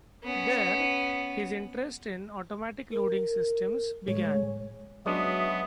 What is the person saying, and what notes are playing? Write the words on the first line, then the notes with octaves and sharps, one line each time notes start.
There, his interest in automatic loading systems began.
B3 C#4
A#4
A2 G#3 C#5
F#3 G#3 B3 C#4 D4 B4 E5 D#6